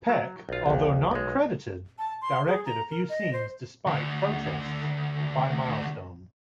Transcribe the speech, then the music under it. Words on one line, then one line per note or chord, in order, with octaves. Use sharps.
Peck, although not credited, directed a few scenes despite protests by Milestone.
F#3
B1 F4
A#1 D#2
B1 G#3
A5
C6
G#4
A#5
A#4
D#5
C5
D2 D3